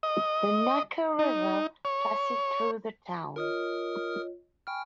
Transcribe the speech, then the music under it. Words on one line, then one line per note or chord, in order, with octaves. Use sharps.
The Naka River passes through the town.
D#5
D#4
C#5
F4 A#4 C#5 D#5 D#6 F6
G5 G#5 B5 C#6 F6